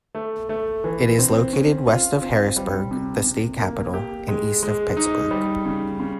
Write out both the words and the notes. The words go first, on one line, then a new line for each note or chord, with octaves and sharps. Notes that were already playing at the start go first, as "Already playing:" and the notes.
It is located west of Harrisburg, the state capital, and east of Pittsburgh.
A3
A3
E3
C4
C#4
F4
C4
G3
C3
C3
A#3
G4
G#3
G#3
D#4
G3
C#3
C#3